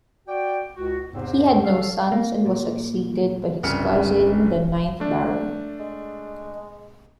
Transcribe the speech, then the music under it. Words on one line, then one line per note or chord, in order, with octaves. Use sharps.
He had no sons and was succeeded by his cousin, the ninth Baron.
F#4 D5 G5
C#2 F#4
E2 G#2 C3 C4
A4 F5
A#3
A#2
G1 C2 C#3 F6 C#7
A3 D4
G#3